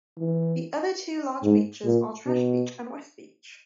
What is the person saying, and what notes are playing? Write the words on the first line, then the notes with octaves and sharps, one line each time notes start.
The other two large beaches are Trash Beach and West Beach.
E3
G#2
A#2
B2